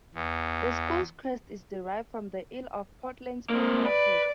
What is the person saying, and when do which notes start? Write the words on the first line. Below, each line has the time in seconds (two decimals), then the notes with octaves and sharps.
The school's crest is derived from the Earl of Portland's personal crest.
0.15 E2
3.50 A#3 C4
3.85 B4 D5